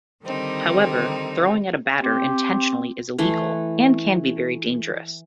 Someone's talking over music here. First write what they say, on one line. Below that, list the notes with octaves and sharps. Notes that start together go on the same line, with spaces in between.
However, throwing at a batter intentionally is illegal, and can be very dangerous.
D3 D#3 G3 C4 D#4
C4 G4
E3 A3 C6